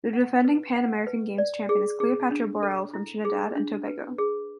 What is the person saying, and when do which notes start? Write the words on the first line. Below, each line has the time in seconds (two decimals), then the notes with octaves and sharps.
The defending Pan American Games champion is Cleopatra Borel from Trinidad and Tobago.
0.13 F#5
0.45 B4
0.76 F#5
1.07 B4
1.38 D5
1.69 G#4
2.00 G#4
2.31 D4
2.63 A4
2.94 E4
3.25 G#4
3.56 D4
3.87 B4
4.18 G#4